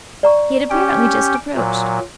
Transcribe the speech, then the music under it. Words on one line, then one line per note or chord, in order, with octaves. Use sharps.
He had apparently just approached.
D5 A#5 C#6
C#4 G4 G5
A#2 F#3